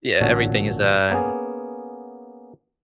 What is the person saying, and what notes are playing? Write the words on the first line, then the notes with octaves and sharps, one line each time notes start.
Yeah, everything is, uh,
A1 A#2 D3 F#4 A4 C#5
A#3 B3 C#4 G#4